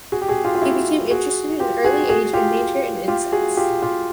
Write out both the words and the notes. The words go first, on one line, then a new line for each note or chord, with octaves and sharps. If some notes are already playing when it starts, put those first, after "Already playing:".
He became interested at an early age in nature and insects.
F#4 G#4
G4
F#4 G#4
F4 G4
F4
E4 F#4
F#4 G#4
F4 G4
F#4 G#4
F#4 G#4
F4 G4
F4 G4
F#4 G#4
F4 G4
F4 G4